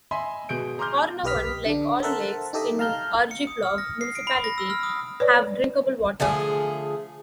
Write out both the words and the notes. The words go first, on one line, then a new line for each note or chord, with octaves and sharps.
Hornavan, like all lakes in Arjeplog Municipality, have drinkable water.
D#5 E5 G#5 B5 C6
B2 G#4 G6 D7
G#4 A#5 C6 D6 F6 G6
B1 G4 B4 D#5 F6 B6
D3 D4
A4 A#4 C5 E5 F#5 A5
D#4 G4 A4 D#5 E5
F5 A5 A#5 F6 G6
C#7
D#6
F6
A#6
C7
D7
B5
A#6
E6
F6
D#6
B4 C#5 D5
D3 F3 A3 G#4